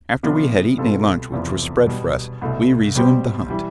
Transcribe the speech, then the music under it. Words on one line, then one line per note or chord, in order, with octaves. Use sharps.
After we had eaten a lunch which was spread for us, we resumed the hunt.
C3 F3 B3 D4
B2 G3 C4 F4 A4
F1 E2 C3 F3 B3
B2 G3 B3
C2 B2 A3
B2 G3 C4 G4 C5
E3 G3